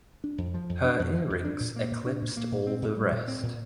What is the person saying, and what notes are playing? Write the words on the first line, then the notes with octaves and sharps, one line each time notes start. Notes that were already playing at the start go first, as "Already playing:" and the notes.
Her earrings eclipsed all the rest.
D4
F2
F3
F2
D4
F2
F3
F2
D4
A#2
A#3
A#2
D4
A#2
A#3
A#2
C4
A#2
G3
A#2
C4
A#2